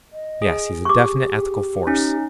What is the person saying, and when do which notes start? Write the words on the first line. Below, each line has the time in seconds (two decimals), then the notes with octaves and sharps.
"Yes; he's a definite ethical force."
0.13 D#5
0.42 G#4
0.85 G4 C#6 D6
1.87 C#4 D#4